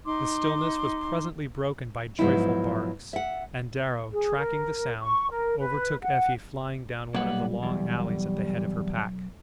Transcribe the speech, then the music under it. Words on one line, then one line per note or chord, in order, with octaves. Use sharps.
The stillness was presently broken by joyful barks, and Darrow, tracking the sound, overtook Effie flying down one of the long alleys at the head of her pack.
D#4 C6 D6
G#2 F3 F#3 B3 D#4 E4
E5 F#5
G#4
A#4
C#6
A#4
B4
F#5
B1 G3 A#3 F#5
E2 G3